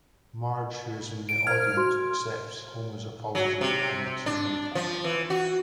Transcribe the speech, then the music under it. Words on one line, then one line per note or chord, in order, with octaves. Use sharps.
Marge, who is in the audience, accepts Homer's apology and the two make up.
D7
C5 F6 G#6
F#4 C6
F#3
C3
D4
F3
E3
F#4